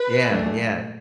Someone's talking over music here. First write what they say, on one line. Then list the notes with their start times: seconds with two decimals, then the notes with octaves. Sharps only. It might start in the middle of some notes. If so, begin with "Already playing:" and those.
Yeah, yeah.
Already playing: B4
0.31 A#2 F#3 A3 D4